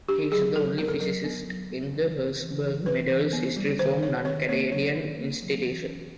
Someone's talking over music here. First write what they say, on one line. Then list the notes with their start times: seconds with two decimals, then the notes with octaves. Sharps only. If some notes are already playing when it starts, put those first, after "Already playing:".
He is the only physicist in the Herzberg Medal's history from a non-Canadian institution.
0.09 D4 G4
0.32 F#3 G#4
0.56 F#3 A4
0.78 B3 A#4
0.88 A4
1.00 F#3 A#4
1.24 B3
1.47 F#3
1.70 B3
1.94 E3
2.17 B3
2.41 E3
2.64 E3
2.86 E3 B4
3.10 E3
3.33 B3
3.56 G3
3.79 D#3 C5
4.02 D#3 C#5
4.25 D#3 C#5
4.49 A#3 C#5
4.71 F#3 C#5
4.95 D#3
5.18 A#3
5.42 F#3
5.64 E3
5.88 C#4